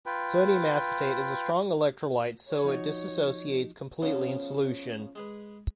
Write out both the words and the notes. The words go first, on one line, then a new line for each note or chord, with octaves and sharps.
Sodium acetate is a strong electrolyte so it dissociates completely in solution.
F4 B4 G5
C#5
F3 D#4 F#4
C#3 F3 B3 C#4
G#3 G#4 B4